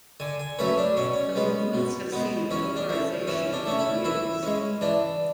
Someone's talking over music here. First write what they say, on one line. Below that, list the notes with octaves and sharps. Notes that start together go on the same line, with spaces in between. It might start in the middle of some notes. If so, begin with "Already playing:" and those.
The movements have seen a polarization of views.
D3 G#5
G#5
F#3 A3 C#4 B4
D4
B2 C#4
C#4
G#3 B3
B2
G#3 B3
E3 C#4
D4
A3 C#4
E3 C#4
D4
A3 C#4
E4
E3 E4
G#3 C#4
E3 D4